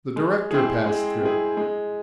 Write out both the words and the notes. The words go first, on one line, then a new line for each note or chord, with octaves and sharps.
The director passed through.
G#3
C4 E4 G#4
G#3
C4 E4 G#4
G#3